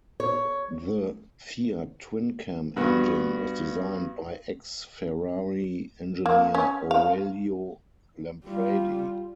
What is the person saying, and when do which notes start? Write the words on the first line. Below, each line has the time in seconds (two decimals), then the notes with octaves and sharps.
The Fiat twin cam engine was designed by ex-Ferrari engineer Aurelio Lampredi.
0.20 C#5
2.76 G2 B3 F#4
6.26 A#3
6.55 C#4
6.91 F5
8.46 G3 F4